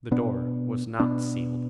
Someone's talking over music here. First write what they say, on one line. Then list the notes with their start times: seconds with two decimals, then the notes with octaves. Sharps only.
The door was not sealed.
0.11 B2 B3 D4
0.99 B2 B3 D4